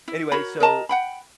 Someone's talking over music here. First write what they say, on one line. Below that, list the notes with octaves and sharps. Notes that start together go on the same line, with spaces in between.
anyway, so,
E4
F#4 A#4 C#5 B5
A#4 D#5 A5 A#5
F#5 G5 B5